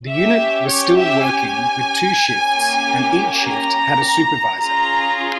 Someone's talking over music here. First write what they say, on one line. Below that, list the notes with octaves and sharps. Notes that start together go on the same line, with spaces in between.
The unit was still working with two shifts and each shift had a supervisor.
C#4 G4 E5
C#5
E5
G#5
A#3 C#4 G4
A#5
C#4 F4 G#4 A#5